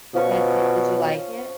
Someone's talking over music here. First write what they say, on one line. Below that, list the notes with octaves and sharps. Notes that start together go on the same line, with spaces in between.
Yeah, did did you like it?
B2 F3 C#4 C#6